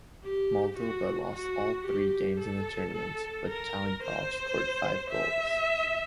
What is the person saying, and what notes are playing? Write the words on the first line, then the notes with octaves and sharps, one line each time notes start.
Moldova lost all three games in the tournament, but Calincov scored five goals.
G4
F#4
F#4
G4
A4
A4
A#4
C5
E5